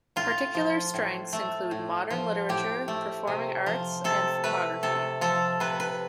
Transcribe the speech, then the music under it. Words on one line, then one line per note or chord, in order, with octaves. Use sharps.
Particular strengths include modern literature, performing arts, and photography.
A2 F4
F3
A2
A3
A2
F3
A2 G4
A3
C3
F3
C3 A4
A3 B4
C3 A4
F3 A4
C3 B4
B4